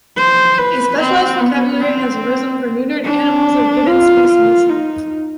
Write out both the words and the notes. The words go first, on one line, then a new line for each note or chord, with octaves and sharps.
A specialized vocabulary has arisen for neutered animals of given species.
C5
B4
C4
B3
C4
D4
F4
F4
D#4